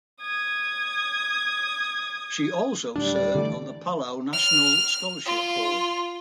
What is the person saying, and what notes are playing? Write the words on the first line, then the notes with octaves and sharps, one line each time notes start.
She also served on the Palau National Scholarship Board.
D#6 G#6
D1 G3 D4
D5
D3 E3 A3
F6
F4